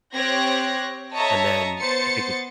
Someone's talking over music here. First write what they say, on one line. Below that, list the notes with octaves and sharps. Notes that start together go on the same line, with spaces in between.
and then if it gets
C4 G4 C#5 F#6 G#6 A#6
A4 C#5 D#5 E5 A5 A#5
B3 C5 A6 C#7